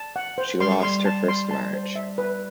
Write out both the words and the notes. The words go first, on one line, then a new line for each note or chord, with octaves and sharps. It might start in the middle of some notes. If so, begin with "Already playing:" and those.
She lost her first match.
Already playing: A5
F#5
C5
G3 C6
A3
G3 C6
A5
C6
A5
C5
E5
B4